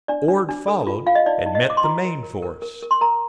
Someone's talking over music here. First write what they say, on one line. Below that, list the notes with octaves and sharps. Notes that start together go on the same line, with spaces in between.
Ord followed and met the main force.
D4 D5
D4
D4
A4
F4
F4 F5
D#5
D#4 D5
D#4
D#5
C5
D6
C6
F4 A#5
A#4
A#4
A#4
A#4
A#4
C6
A#4 A#5